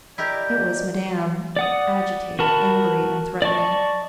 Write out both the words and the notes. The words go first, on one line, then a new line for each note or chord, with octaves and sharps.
It was Madame, agitated, angry, and threatening.
E4 G4 A#4 D5 D#5 G6
D5 F#5 D#6
F#4 A#4 A5 B5
D5 D#5 A5 C#6